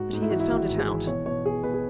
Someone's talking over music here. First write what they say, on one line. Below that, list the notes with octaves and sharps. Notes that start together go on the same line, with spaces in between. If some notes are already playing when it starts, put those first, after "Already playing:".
But he has found it out.
Already playing: G#2 F#4
G#2
E4
E3 F#4
E4
G#1 F#4
G#2
G#4
E3
B2 C#5
B2 C#5
B2 G#4
B2 B4
G#4